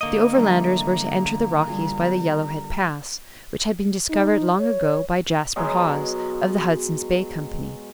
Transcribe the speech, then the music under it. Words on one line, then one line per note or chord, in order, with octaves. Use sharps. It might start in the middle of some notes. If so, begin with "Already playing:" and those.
The Overlanders were to enter the Rockies by the Yellowhead Pass, which had been discovered long ago by Jasper Hawse, of the Hudson's Bay Company.
D3 A#3 D#4 D#5
E3 G3 D4 A#5
G3 F4 G#4
B3 G4 E6
D#4
C#5
B2 F#3 G#3